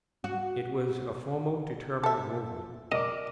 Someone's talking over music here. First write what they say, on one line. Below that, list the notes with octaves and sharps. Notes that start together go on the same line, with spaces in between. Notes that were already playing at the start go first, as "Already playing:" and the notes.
It was a formal, determinate movement.
F#4
A4 E5
A#4 D5 D#5 D6